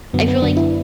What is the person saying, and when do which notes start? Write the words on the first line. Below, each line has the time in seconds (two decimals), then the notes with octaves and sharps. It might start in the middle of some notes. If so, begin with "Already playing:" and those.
I feel like
0.13 F#2 D3 F#3 B3
0.28 B3
0.42 F#2 D3 F#3 D4
0.57 E4